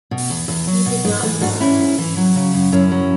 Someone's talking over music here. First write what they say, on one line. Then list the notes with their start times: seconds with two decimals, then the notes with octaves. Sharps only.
He did not survive.
0.11 B2
0.30 E2
0.48 E2
0.67 F#3
0.86 B2
1.05 G#2 G#3
1.17 B3
1.23 E3 A3
1.41 G#2 D4 F#4
1.61 E3 C#4 E4
1.79 G#2
1.98 E3
2.17 F#3
2.35 C#3
2.54 F#2
2.72 F#2 C#4 E4
2.91 F#3